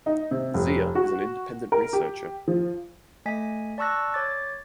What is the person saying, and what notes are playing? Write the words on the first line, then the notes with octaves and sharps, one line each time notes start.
Zia is an independent researcher.
D#4
C3
F1
F#4
A#4
G4
F3
A3 D#5 G#5 B6
D5 A5 C#6 E6 F#6 A#6
C#5 D6 A6